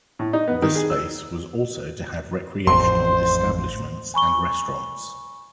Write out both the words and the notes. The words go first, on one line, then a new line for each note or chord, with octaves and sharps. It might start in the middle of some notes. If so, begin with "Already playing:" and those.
This space was also to have recreational establishments and restaurants.
A2
D#4
B3
D#3
G#4
E6
A1 F2 C5 C6
G#5 B5 C#6 G7